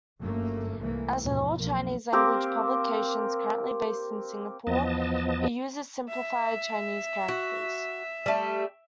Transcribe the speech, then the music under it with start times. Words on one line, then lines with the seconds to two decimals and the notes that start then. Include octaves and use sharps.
As with all Chinese-language publications currently based in Singapore, it uses simplified Chinese characters.
0.20 G1 F#2 A3 A#3
0.81 C2 G#2 E3 A3 A#3
1.21 D#2 G#2 B2 F3
1.56 B1 F2 F3 A#3
2.13 A#3 C4 G4 A#4
4.67 E2 F3 B3 D#5 A5
6.09 E5
7.28 F#4
8.26 G3 A3